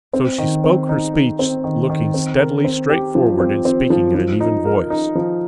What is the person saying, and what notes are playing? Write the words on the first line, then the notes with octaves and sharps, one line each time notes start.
So she spoke her speech looking steadily straight forward and speaking in an even voice.
C4
D#3
C4
D#4
D#4
C4
D#3
D#3
C4
A#4
C4
G4
F3
C4
C4
F3
F3
D#4
A#4
D#4
F3